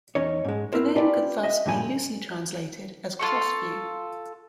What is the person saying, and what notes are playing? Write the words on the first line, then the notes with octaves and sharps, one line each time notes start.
The name could thus be loosely translated as "crossview".
E2 C#4 D#4 C#5
G#2 G#3
C4 E4 A#4 C5
C#4 D4 F4 G4 B4 D5
D#5 E5
G2 A#2 C#3 F3 G#5
F4 A4 C#6